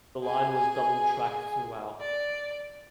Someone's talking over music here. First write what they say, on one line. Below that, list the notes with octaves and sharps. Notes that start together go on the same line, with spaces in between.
The line was double track throughout.
G#4 G#5
D5